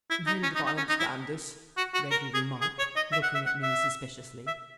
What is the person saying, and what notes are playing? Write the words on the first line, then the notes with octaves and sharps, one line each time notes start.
"I'm hanged if I understand this!" Reggie remarked, looking at me suspiciously.
E4
D#4
C#4
D#4
D#4
C#4
D#4
E4
F#4
F#4
A#4
G#4
G#4
C#5
D#5
E5
F#5
E5
F#5
E5
E5